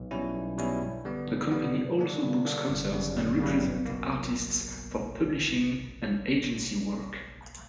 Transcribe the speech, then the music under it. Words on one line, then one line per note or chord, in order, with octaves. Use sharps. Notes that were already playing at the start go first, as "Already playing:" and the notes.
The company also books concerts and represent artists for publishing and agency work.
Already playing: B1
B2 G3 C#4 E4
B1
B2 G3 C#4 E4
G2
D3 G3 B3
G2
D3 G3 B3
G2
D3 A#3 D4
G2
D3 A#3 D4
G1
F#2 C#3 G3
G1
F#2 C#3 G3
B1
B2 A#3